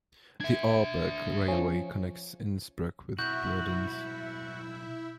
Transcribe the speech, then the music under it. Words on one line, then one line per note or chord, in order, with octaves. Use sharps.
The Arlberg railway connects Innsbruck with Bludenz.
D4 E5 G#6
F3 C#4
B1 C4 E4 F#4 E5 G6